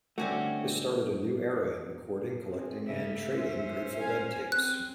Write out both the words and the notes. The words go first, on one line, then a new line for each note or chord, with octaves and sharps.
This started a new era in recording, collecting, and trading Grateful Dead tapes.
G2 D3 A3 C4 C#4 F#4
C4 G#4
C#3 A3 E5
C#4 C5
F5 G#5
C4 F#6